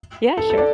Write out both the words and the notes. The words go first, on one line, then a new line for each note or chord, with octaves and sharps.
Yeah, sure
A4
A4
D5